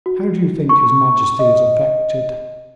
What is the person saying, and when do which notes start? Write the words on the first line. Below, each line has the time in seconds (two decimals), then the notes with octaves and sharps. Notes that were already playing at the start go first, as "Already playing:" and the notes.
"How do you think his majesty is affected?"
0.06 F#4
0.69 C#6
1.39 D#5